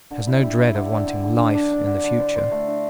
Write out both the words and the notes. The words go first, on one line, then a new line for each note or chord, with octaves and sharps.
Has no dread of wanting "life" in the future.
D3
E4
G3
E4
D3
D3
D3
D3
D3
D4
D4
D3
D3
C5
C5
A3
D4